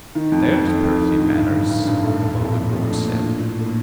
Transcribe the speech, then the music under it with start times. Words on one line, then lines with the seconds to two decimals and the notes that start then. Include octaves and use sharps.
"There's purty manners," the Mouldiwarp said.
0.15 D#3
0.32 F2
0.50 F2
0.67 F2
0.83 F2
1.01 D#3
1.18 A2 D3
1.35 G2
1.53 G2
1.70 G2 A#2
1.88 G2
2.05 A3
2.22 A3
2.39 F2
2.56 A3
2.73 F2
2.90 D4
3.08 D4
3.25 D4
3.43 D4
3.60 A4